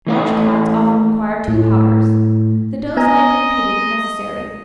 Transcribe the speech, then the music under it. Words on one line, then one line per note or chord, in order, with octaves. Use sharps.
Large cats often require two powders. The dose might be repeated if necessary.
E3 A3 C#5
A2
B3 D#5 G#5 A#5